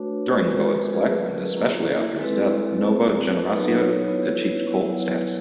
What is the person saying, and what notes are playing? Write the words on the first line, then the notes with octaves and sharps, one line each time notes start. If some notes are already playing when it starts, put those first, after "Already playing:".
During Voev's life, and especially after his death, Nova Generacia achieved cult status.
Already playing: A3 D4 F#4 B4 C#5
B4
G#3 C#4 F#4 A#4 C5
A4 B4
B4
F#3 A3 C#4 F4 G#4 A#4
A#3 C#4 E4
G#3 C4 E4 A4 B4
A3 C4 F4
F#3 B3 D#4 A4 B4
B4 C#5
B3 E4
F#3 B3 E4